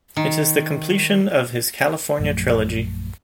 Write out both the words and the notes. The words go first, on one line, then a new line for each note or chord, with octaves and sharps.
It is the completion of his California trilogy.
D#3
A#1 F#2 F3 A3